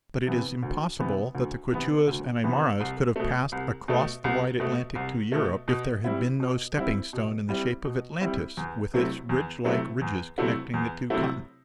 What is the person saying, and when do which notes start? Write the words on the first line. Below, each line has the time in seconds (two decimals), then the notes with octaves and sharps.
But it is impossible that the Quichuas and Aimaras could have passed across the wide Atlantic to Europe if there had been no stepping-stone in the shape of Atlantis with its bridge-like ridges connecting the two continents.
0.27 C3 E3 B3
0.63 D2
0.99 C3 E3 B3
1.35 D2
1.71 C3 E3 B3
2.07 D2
2.44 C3 E3 B3
2.80 C2
3.16 B2 A3
3.52 C2
3.88 B2 A3
4.24 C2
4.60 B2 A3
4.96 C2
5.32 B2 A3
5.68 B2
6.04 G3 C4 E4
6.40 B2
6.76 G3 C4 E4
7.13 B2
7.49 G3 C4 E4
7.85 B2
8.21 G3 C4 E4
8.57 E2
8.94 C3 F#3 A3 E4
9.29 E2
9.65 C3 F#3 A3 E4
10.01 E2
10.38 C3 F#3 A3 E4
10.74 E2
11.10 C3 F#3 A3 E4